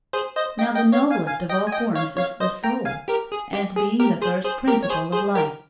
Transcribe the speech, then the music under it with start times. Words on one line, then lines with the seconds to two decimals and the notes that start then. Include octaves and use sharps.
Now the noblest of all forms is the soul, as being the first principle of life.
0.13 G#4 C5
0.36 C5 D#5
0.58 D#5 G5
0.76 D#5 G5
0.92 C#5 F5
1.11 F5 G#5
1.27 F5 G#5
1.49 D#5 G5
1.67 G#5
1.72 D#5 G5
1.95 C#5 F5
2.17 C#5 F5
2.40 C5 D#5
2.64 G5 A#5
2.85 F5 G#5
3.08 G4 A#4
3.32 G#4
3.53 G4
3.76 G#4
4.00 G4 A#4
4.22 G#4 C5
4.45 G#4 C5
4.67 G4 A#4
4.83 C#5
4.90 G#4 C5
5.12 G#4 C5
5.35 G4 A#4